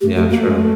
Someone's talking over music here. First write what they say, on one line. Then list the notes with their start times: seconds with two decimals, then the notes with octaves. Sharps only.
Yeah. True.
0.01 A3 G4
0.16 A3 F#4
0.30 A#3 F#4
0.40 A3
0.50 G#3
0.60 A3